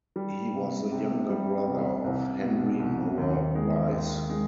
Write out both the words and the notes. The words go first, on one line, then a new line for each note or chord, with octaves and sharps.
He was the younger brother of Henry Mower Rice.
G3
C3
C3
G3
C2
C2
B2
C2
D#2
G#3
D#2
G#3